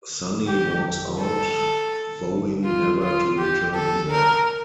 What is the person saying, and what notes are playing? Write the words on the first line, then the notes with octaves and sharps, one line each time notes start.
Sonny walks out, vowing never to return there.
G4
A4
F4
F4
G4
A4
A#4